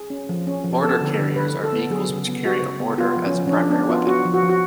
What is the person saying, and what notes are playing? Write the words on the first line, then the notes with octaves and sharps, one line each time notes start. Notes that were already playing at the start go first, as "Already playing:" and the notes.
Mortar carriers are vehicles which carry a mortar as a primary weapon.
Already playing: G#4
C#4
F3
C#4
F3
B3 A4
D3
D3
D3 B4
D3
A4
B3
F#3 G#4
C#3
B3
C#3 F#4
C#3
B3
B3 F4
F3
C#4
F3
C#4
F3 D4
B3 D4
B3 F4
B3 F#4
F3
F#4
F3
F#4